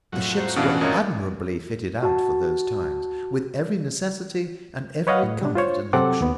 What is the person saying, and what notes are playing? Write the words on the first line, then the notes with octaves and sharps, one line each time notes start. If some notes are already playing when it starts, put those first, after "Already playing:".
The ships were admirably fitted out for those times, with every necessity and every comfort and luxury.
F2 A2 F#3 F#4
C5 A#5
B2 E3 C#4 D4 F5
G#1 F4 A#4 C#5 D#5
F#4 A5
B4 C#5 D#5 F5 F#5
A2
G3 D4
F4 C5 C#5
C3 F#3 C4 A4 F#5 D6
D#2 B3